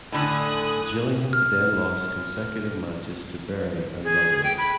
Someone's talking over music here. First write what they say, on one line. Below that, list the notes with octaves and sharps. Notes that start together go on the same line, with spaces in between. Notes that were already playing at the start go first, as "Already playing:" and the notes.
Gillingham then lost consecutive matches to Bury and Rotherham.
A2 D3 G#5 D#6 F#6
F6
G#4
G5
B5